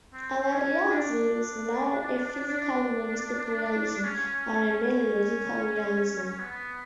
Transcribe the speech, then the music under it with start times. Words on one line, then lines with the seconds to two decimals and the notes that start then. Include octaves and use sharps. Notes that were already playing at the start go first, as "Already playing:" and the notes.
Our realism is not a physically monistic realism, or a merely logical realism.
0.14 C4
0.52 C#4
0.91 D4
2.48 D4
4.04 C#4
4.83 C#4
6.39 B3